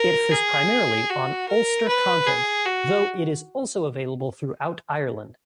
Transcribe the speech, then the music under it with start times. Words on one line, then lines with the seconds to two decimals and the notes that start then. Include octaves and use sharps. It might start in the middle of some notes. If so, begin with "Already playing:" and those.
It focuses primarily on Ulster content, though it is also available throughout Ireland.
Already playing: A#4
0.32 G#4
1.10 F#4
1.48 A#4
1.88 B4
2.27 G#4
2.66 F#4